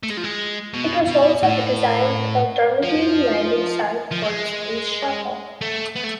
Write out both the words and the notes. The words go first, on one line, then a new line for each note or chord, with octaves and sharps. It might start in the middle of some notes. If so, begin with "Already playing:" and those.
It was also a designated alternative landing site for the Space Shuttle.
A3
G#3
F3
G#3
B2
B2
A2
F3
F3
G#3
A3
B3
A3